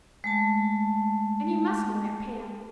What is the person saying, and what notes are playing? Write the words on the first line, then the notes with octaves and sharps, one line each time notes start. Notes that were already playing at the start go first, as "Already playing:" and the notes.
And you must know Aunt Pam.
G#3 A3 A5